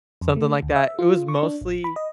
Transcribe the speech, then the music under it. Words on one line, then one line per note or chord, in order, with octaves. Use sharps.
something like that, it was mostly
F2
A3
D2
E5
F4
C#6
D4
A1
B5
D#5